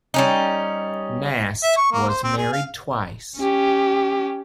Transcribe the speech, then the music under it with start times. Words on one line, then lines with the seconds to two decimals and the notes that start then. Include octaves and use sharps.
Nast was married twice.
0.14 G3 C#4 D#4
1.63 E5
1.77 C#6
1.92 A#3
2.09 C5
2.23 C4
2.37 G#4
2.52 F5
3.37 C#4 G4